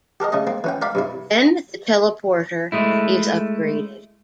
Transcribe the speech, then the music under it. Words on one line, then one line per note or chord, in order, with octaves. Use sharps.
Then the teleporter is upgraded.
G4 A4 A#4 D#5
C#3 A3 D#5
A#3 C4
E3 C#4 G5
A#4 D5 F5 B5
G2 C3 E4
G#3 A3 E4